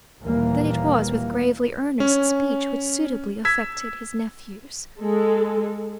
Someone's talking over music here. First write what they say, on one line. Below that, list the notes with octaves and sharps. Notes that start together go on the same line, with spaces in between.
Then it was with gravely earnest speech which suitably affected his nephews.
D#2 A#2 E3 G3 A#3
C#4
E6 G#6 B6
G#3 A4